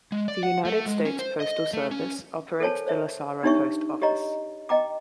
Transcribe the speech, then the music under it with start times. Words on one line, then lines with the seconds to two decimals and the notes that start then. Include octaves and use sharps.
The United States Postal Service operates the Lasara Post Office.
0.12 G#3
0.28 D5
0.43 F#5
0.65 A3
0.86 G#3
1.05 C#4
1.19 C5
1.40 D#5
1.73 A3
1.91 C#4
2.60 A4 A#4 C5 C#5 G#5 A5
2.86 C5 C#5 E5
3.43 D4 D#4 G4 C#5 E5 C#6
4.02 G4 C#5 D#5 A#5
4.69 D#5 G5 A#5 D6